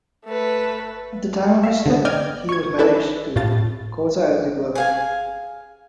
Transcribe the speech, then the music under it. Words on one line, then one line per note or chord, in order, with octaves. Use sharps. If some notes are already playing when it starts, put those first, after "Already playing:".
At the time of his death, he was married to Cora Elsie Bird.
A3 B4
E5 F5
D3 B3
D5 D#5 G5 F6 G#6
C#6 G#6
C#4 E4 A4 B4 D5
A2 F4 A6
G#4 F5 G#5